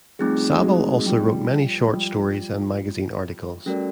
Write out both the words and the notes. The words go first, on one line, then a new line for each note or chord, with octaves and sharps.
Saville also wrote many short stories and magazine articles.
F3 G3 A3 C4 D#4 G#4
F#3 G#3
F3 G3
G#3
F3 G3
G3 A3 C#4 F#4 A#4 D5